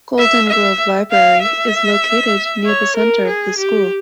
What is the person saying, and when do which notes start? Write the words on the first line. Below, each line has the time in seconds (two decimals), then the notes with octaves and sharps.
Golden Grove Library is located near the centre of the school.
0.18 E5
0.49 E5
1.11 F5
1.42 E5
2.66 C#5
2.97 A#4
3.27 G#4
3.58 G4